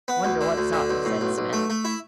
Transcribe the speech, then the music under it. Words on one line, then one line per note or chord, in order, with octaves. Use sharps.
"Wonder what's up?" said Smith.
B3
D2
D3
D2
D3
B1
A2
B1
B1
A3
A3
E4